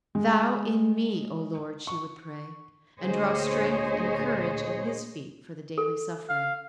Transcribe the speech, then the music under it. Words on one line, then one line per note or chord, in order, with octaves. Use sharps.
"Thou in me, O Lord," she would pray, and draw strength and courage at His feet for the daily suffering.
G#3
C#6
D2 A#2 G#4 C5 C#5 D#5
A4
F5